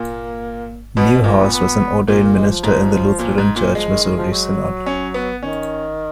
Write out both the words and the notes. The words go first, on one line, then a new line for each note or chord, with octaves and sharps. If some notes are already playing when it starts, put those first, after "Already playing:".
Neuhaus was an ordained minister in the Lutheran Church-Missouri Synod.
Already playing: A#2 A#3
B2 B3
A#2 A#3
B3
B3
A#2 A#3
A#3
G#3
F3
G#2
A#2
G#2
A#2
F3 G#3
D#3
D#3
F3
F#3
C#4
B3
D#3 C#4